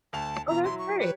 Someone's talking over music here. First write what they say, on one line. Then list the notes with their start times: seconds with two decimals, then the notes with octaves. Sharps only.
Oh, that's great.
0.13 D2 A5 F7
0.48 B2 E3 A#5
0.64 F#3 E4 C6
0.79 C#6
1.00 G4 B4 C#5